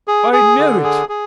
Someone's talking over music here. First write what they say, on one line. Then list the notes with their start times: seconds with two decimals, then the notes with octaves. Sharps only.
'I knew it!
0.08 G#4
0.33 G#4
0.58 D3
0.84 G#4
1.09 G#4